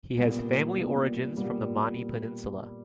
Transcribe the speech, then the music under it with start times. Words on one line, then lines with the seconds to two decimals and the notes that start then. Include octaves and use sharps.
He has family origins from the Mani Peninsula.
0.17 A#2 G3 B3
0.77 A#2 G3 B3
1.36 A#2 G3 B3